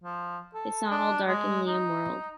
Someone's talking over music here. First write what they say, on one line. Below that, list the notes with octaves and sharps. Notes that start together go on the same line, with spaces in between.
It's not all dark in Liam World.
F3
A4
D4
G#3
D#4